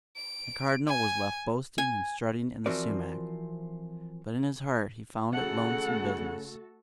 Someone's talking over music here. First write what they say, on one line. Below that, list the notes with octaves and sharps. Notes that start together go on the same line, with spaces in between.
The Cardinal was left boasting and strutting in the sumac, but in his heart he found it lonesome business.
D7
G#5
G#5
E3 F3 C4 F#4 A#4 D5
C#3 A3 F#4 A4 F#5